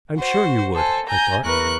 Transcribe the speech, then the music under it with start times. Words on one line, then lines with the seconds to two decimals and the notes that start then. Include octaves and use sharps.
"I'm sure you would," I thought.
0.17 F#4 C5
0.73 A4 C5 G#5 A5
1.07 G#5 A#5 G6 A#6
1.44 E2 A#4 B4 C#6 F#6